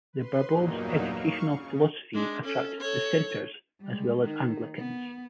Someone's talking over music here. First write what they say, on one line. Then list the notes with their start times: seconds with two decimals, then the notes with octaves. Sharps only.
The Barbaulds' educational philosophy attracted Dissenters as well as Anglicans.
0.13 B4 C6
0.47 E2 G2 A#2 F#3 A#3 D#4
1.05 F5 C#6
1.43 C#3
2.14 G#3 D4
2.45 C#4 A4
2.80 A4 C#5
3.81 G3 G#3
4.21 D#3 D#4
4.77 B3